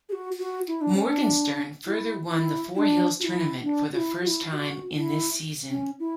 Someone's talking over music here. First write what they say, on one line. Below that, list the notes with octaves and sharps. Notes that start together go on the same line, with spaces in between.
Morgenstern further won the Four Hills Tournament for the first time in this season.
G#4
F#4
F#4
E4
D4
C#4
D4
E4
E4
E4
D4
F#4
E4
D4
F#4
E4
F#4
E4
F#4
E4
C#4
E4